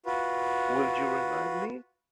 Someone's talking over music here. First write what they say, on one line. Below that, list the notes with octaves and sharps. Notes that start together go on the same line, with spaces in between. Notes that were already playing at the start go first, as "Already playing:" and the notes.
Will you remind me?
F4 F#4 B4